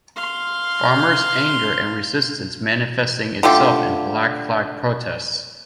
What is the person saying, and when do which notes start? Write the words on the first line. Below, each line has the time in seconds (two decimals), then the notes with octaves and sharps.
Farmers' anger and resistance manifesting itself in black flag protests.
0.16 F5 C6
3.43 D3 A3 F4 G4